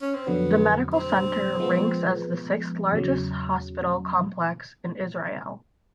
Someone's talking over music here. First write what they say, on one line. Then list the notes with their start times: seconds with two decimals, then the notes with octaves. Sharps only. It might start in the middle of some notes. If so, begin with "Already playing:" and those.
The Medical Center ranks as the sixth-largest hospital complex in Israel.
0.02 C#4
0.14 C4
0.27 F2 D3 F#3 B3
0.93 C4
1.60 F3 G#3 B3
2.92 E2 C#3 F#3